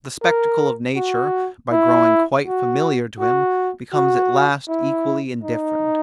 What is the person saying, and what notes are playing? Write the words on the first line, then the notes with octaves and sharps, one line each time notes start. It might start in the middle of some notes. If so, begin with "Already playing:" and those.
The spectacle of nature, by growing quite familiar to him, becomes at last equally indifferent.
A#4
F#4
E4
F#4
F#4
F#4
E4
D#4